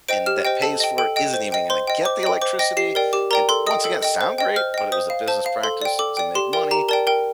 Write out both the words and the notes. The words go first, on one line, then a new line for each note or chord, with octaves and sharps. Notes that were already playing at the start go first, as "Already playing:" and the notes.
and that pays for it isn't even gonna get the electricity and once again it sound great, but, it was a business practice to make money
C5 D#5 G5 D7
G4 F6
C5 D#5 G5
A4 A5
D#5 G5
A4 G5
D#5 G5
C5
D#5 G5
C5 C6
D#5 G5
C5 D6
D#5 G5
C5 D6
D#5 G5 A#6
G4 C7
A#4 D5 G5
G4 D6
A#4 D5 G5 A#5
A4 C6
D#5 G5 D#6
A4
D#5 G5
C5
D#5 G5
C5 F6
D#5 G5
C5 D#6
F5
C5 A5
F5
A4 C6
D5 G5
A4 D6
D5 G5
G4 C6
A#4 D5 G5
G4 A#5
A#4 D5 G5 A5
A#4 G5